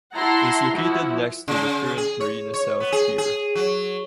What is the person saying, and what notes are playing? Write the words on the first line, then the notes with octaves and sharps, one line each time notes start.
It is located next to the current Marina South Pier.
E4 F#5 A5 A#5 C6
F3 E4 F#4
C#3
G#4
C#5
C#5
B3
G#4
G#4
F#3